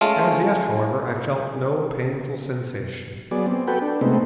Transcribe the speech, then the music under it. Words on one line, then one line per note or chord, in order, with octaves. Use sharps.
As yet, however, I felt no painful sensation.
G#3 A3 C#4 F4
F#3 B3 G#4 D5
C4
F#4 A4 B4 G5
D4
C3 G#3 A3 B3 C4 D#4